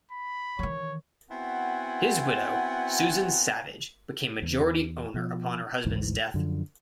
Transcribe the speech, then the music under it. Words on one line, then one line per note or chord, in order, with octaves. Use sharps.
His widow, Susan Savage, became majority owner upon her husband's death.
B5
D#3 E3 C#5
B3 C4 E4 F#4 F#5 G#5
E2
B2 F3
G#1 D2 G#2 E3
F#2 D3 F3